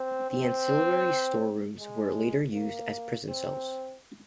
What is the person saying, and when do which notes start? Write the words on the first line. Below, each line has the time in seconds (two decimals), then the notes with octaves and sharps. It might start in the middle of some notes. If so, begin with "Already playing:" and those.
The ancillary storerooms were later used as prison cells.
Already playing: C4
0.31 C4
1.79 G#3
2.54 A#3
3.29 C4